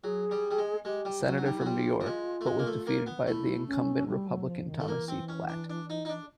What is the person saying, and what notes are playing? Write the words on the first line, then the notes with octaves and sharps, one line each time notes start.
Senator from New York, but was defeated by the incumbent Republican Thomas C. Platt.
F#3 G#4
G3
G3
G#3
G#3 G4
G3
F#3 F#4
F#3
D4
G3 D#4
E4
F#3
G3 F4
G3
G#3
A3
G#3
A#3
A3
A#3
B3
A3 E4
C#4
G3
F#3
F3
D#3
A3
E3 A#3
C4
C#4
D4
D4
D#4
D#4
D4